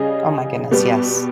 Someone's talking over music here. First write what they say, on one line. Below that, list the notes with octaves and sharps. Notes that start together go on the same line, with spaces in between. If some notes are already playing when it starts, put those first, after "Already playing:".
Oh my goodness, yes.
Already playing: C#3 G3 C#4 G#4 D#5
B2 G3 B3 G4 B4